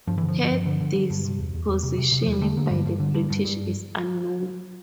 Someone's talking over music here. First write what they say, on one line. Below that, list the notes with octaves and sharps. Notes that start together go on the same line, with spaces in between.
Her disposition by the British is unknown.
G2 F3
D3 E3
F3
G2
G2
D3
D3
D3
G2
C3
E2
E2
E2
C3
C3
C3
F3
E2
G3
D3 A3
D3 A#3
A3
G2 G3
G2
D3
G2
G2
G2